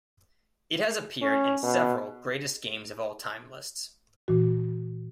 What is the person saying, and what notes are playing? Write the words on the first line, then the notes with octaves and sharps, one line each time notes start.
It has appeared in several "greatest games of all time" lists.
C#4
B2
A#2 E3 F#4